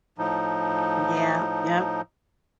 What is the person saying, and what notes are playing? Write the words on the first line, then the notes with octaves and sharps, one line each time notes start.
Yeah, yep.
A2 F3 D#4